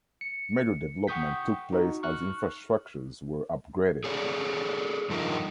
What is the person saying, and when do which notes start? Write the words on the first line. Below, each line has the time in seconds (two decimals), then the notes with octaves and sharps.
Major development took place as infrastructures were upgraded.
0.21 C#7
1.07 F#5 G5 C#6 D#6 G6 B6
1.73 D#4 F#4
2.03 C#6 F6 F#6
4.04 G#4 A4 C#5 D5
5.10 G2 F3 D#4 F4 A#4 D#5